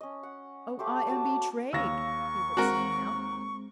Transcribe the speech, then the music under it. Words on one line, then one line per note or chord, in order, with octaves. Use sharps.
"Oh, I am betrayed!" Hubert sang out.
C#4 D#5
F#5
A3 G4 C5 D6
F#3 A5 D6
D#2 F5 C#6 E6 A#6
G#3 C4 F#4 A#4